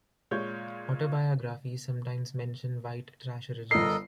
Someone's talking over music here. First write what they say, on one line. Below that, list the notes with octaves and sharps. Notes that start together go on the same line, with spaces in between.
Autobiographies sometimes mention white trash origins.
A#2 G#3 C#5 G6
G1 A4 A#4 D#5 C7